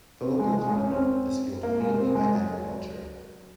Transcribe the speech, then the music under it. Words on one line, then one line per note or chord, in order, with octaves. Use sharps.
The local economy is fuelled mainly by agriculture.
C4
G#3
G#3
C#4
C#4
C4
A#3
G#3
C4
G#3
F#3